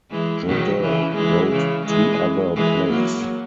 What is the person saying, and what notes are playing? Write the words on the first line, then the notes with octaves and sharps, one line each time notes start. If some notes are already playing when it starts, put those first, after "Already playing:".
Jodelle wrote two other plays.
E3 G#3
D#3 F#3
C#3 E3
E3 G#3
C#3 E3
E3 G#3
E3 G#3
F#3 A#3